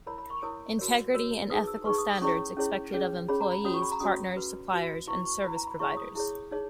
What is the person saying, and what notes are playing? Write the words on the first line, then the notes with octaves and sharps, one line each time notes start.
Integrity and ethical standards expected of employees, partners, suppliers and service providers.
E4 A#4 C#5 B5
B5
C#6
E4 A#4 C#5 D#6
F#4 A#4 C#5
F#4 A#4 C#5 E6
D#4 G#4 B4 D#6
E6
D#4 G#4 B4 C#6
D#6
D#6
C#4 E4 G#4 C#5 C#6
C#4 E4 G#4 C#5
C#4 G#4 C#5
C#4 G#4 C#5 B5
A#5
B5
C#4 F#4 C#5 D#6
C#6
B5
A#5
C#4 F#4 C#5 D#6
F#4 B4
F#4 B4
E4 B4 C#6
C#6
E4 B4 B5
A#5
B5
E4 G#4 C#5 C#6
D#6
E4 G#4 C#5
D#4 G#4 C#5